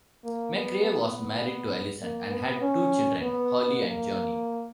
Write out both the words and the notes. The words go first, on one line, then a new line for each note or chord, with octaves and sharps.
McRae was married to Alison, and had two children, Hollie and Johnny.
A#3
B3
B3
A#3
B3
C#4
B3
A#3